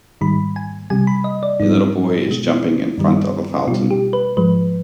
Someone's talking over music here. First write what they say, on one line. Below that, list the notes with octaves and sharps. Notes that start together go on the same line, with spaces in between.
A little boy is jumping in front of a fountain.
G#2 D#3 G3 B5
G#5
C3 G3 G#5
B5
D#5
D5
G#2 G3 D#4
B2 G#3
G2 D#3 G3
B2 G3 F4
G4
B4
G#2 F3 G#3 B4